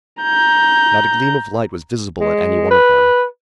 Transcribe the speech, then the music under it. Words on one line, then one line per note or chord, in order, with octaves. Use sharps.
Not a gleam of light was visible at any one of them.
A#5 G6
G#3
B4